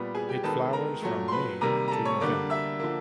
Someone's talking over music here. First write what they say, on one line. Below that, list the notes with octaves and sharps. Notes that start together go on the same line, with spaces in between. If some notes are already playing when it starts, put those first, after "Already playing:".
It flowers from May to November.
Already playing: A#2 G3 B3
G#4 G#5
G4 G5
D#3 G#3 B3 A4 A5
A#4 A#5
A#2 F#3 A3
C6
B4 B5
C3 D#3 G3 A#3 A#4 A#5
A#5
A4 A5
C#5 C#6
D3 G3 A#3 D5 D6
E5 E6
D3 F3 A#3